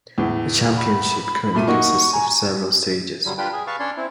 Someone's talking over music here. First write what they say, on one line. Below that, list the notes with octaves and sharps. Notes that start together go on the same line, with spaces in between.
The Championship currently consists of several stages.
E2 A2
B5
A#2 A3 D#7
A#3 D#4 F#4 C#6
G#5 A#5
G2 D3 F#3 G3
D4 F4 G4 B4 G5
G#4
B4 F5 A5 C#6
C#4 D4 C#5 D5 C6
C4 E4